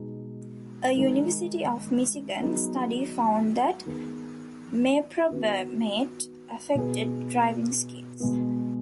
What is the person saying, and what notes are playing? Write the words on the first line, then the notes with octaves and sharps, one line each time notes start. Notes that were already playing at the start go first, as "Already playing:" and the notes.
A University of Michigan study found that meprobamate affected driving skills.
Already playing: B2 G#3 B3 D#4 G#4
D#3 G#3 D#4
F#3 B3 D#4 G#4 B4
D#3 B3 G#4 B4
D#3 B3 F#4 B4
B2 B3 G#4 B4
B2 G#3 B3